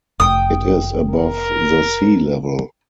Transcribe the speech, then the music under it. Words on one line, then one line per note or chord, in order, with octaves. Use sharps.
It is above the sea level.
F1 G5 D#6
A#4